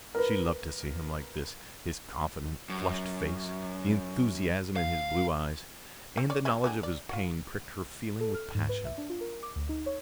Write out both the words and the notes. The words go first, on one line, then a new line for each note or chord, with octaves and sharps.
She loved to see him like this, his confident, flushed face, the enthusiasm in his blue eyes; and the knowledge of his pain pricked her feeling with passion.
A#4 B4
F#2
F5
C4
C#5 D5
G3 C#4 E4
B3 D4 G#4
D5
F4 F#4
A4
F6
G#2
B4
E5
D4
F4
A#4
D6
D2
D#4
C#5